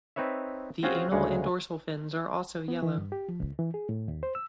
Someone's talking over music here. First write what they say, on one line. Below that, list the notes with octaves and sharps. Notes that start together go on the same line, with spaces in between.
The anal and dorsal fins are also yellow.
C4 D#4 B4 C#5 E5
C4 C#4 F4 F#4 G#4 C5
D2 C#3 G#3 F#5
B3
E3
G2
G4
F3
C#2
E3
G#4
A2
D#2
C5
E6